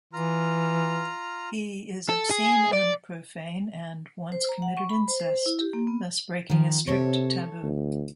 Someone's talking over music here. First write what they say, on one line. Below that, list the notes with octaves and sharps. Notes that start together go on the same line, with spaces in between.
He is obscene and profane and once committed incest, thus breaking a strict taboo.
E3 F4 A#5 F6
A4
G#4
D5
C5
A#5
F#5
C#6
B5
C5
C5
E4
G4
A#3
B3
D#3 F3
C3 A4 C#5
D2